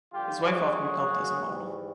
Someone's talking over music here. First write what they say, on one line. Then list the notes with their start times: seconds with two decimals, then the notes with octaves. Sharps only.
His wife often helped as a model.
0.13 F2 D3 G3 F4 G4
0.45 F#4 G#4
0.79 F#2 C#3 F#3
1.44 G#2 E3 G3